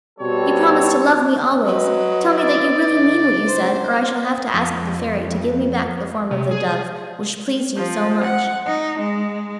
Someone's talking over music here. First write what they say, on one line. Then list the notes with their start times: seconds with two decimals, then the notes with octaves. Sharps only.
"You promised to love me always; tell me that you really mean what you said, or I shall have to ask the Fairy to give me back the form of the dove which pleased you so much."
0.19 B2 G3 C4 A4 C#5
1.65 F#3 B4 D#5
2.40 D5
2.89 C#3
3.46 C5
4.54 F2
6.31 C3
6.51 G#4
7.77 F3
8.24 F#5
8.67 D#4
8.98 G#3